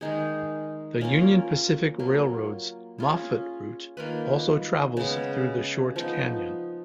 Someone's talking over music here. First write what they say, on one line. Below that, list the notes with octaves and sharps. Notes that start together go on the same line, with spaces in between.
The Union Pacific Railroad's Moffat Route also travels through the short canyon.
D#3 G#3 D#4 G#4
A#3 C#4 F4 A#4
F#3 A#3 F4
C#4 F4 G#4
D#3 A#3 F4 B4
C#3 G#3 B3
F3 B3 D#4